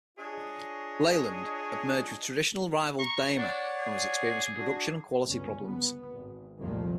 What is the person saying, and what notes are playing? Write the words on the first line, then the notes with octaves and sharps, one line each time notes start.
Leyland had merged with traditional rival Daimler and was experiencing production and quality problems.
D4 F4 G#4 C#5 D#5
A#5 C#6
D4 C#5 D5 F#5
G#4
D4 F#4
G1 C#2 C#4
B3
G#1
C2 F2 A#2 D#3 F3 A3